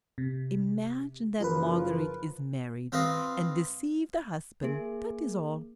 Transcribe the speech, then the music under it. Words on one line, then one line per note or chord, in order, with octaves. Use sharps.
Imagine that Marguerite is married, and deceive the husband; that is all.
C3
F#1 F3 F4 A#4 B4
C4 F4 B4 D#5
A#3 G#4